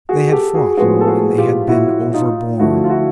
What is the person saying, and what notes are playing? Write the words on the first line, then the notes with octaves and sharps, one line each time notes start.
They had fought and they had been overborne.
F#4 G#4
G4 A4
F#4 G#4
A2 F3 G#3 B3 F#4 G#4
A4
F#4 G#4
F4 G4
E4 F#4
D#4 F4
D2 D3 F3 A3 E4 F#4
F4
E4 F#4